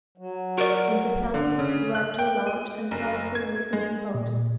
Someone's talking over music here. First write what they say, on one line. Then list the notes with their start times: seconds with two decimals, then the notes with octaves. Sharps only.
On the summit were two large and powerful listening posts.
0.17 F#3
0.58 F#4 A#4 D5
1.34 D3
1.59 C#3
1.95 F#6
2.19 G5
2.47 D#7
2.91 F#1
3.35 G#6
3.73 G#3
4.15 A#2